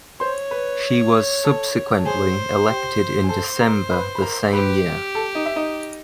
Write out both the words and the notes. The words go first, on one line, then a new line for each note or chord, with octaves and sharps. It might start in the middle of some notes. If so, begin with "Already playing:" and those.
She was subsequently elected in December the same year.
C5 C#5 C6
B4 B5
A4 A5
A5
G#4 C5 G#5
G4 G5
G#5
A4 C5 A5
A#4 A#5
B4 B5
B5
A#4 A#5
G4 B4 B5
A4 A5
D#4 D#5
E5
D#4 D#5